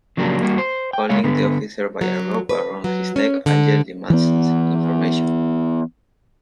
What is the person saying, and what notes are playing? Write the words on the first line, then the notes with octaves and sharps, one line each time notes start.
Holding the officer by a rope around his neck, Angel demands information.
C#3 F3 F#3 A#3 D4 G4
G3 A#3 F#4
C5
G5
G#3 A3 C#5 F5
D3 B3 B4
F#3
B4
F#3
C#4
D3
E3 B3